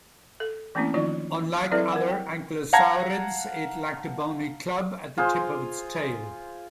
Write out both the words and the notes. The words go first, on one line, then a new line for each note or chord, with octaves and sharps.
Unlike other ankylosaurids, it lacked a bony club at the tip of its tail.
A4
E3 A3 A#3 C4 C#4 E4
D#3 F3 D#4 F4 C#5 D5
F#3 C4 E4 A4 B4 D5
A#4 F#5
G5
F5 F#5 A5 A#5 G#6 A#6
F4 G#4 C5